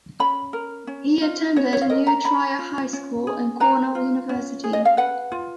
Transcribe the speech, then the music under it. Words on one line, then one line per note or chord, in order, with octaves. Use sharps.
He attended New Trier High School and Cornell University.
C#4 B5
A#4
C#4
F4
C#4 C#5
C#5
F5
A#4 D#5
A#5
C#4 B5
F4
C#4
G#4
B4 A#5
F4
C#4
G#4
D#5
F5
B4 F#5
F4